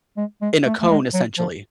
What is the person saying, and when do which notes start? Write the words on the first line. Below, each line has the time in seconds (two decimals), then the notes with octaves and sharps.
in a cone, essentially.
0.17 G#3
0.41 G#3
0.66 A3
0.81 A3
0.90 G#3
1.13 F#3
1.38 F3